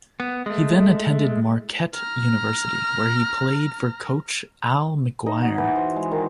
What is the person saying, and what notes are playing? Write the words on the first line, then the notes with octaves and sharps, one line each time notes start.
He then attended Marquette University, where he played for coach Al McGuire.
B3
G#3 A3
A#5 F6
D#4
F#4
E3
C5
G#3
D#3